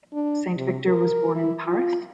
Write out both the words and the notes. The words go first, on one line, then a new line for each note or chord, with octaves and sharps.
Saint-Victor was born in Paris.
D4
C3
A#4
E4
F4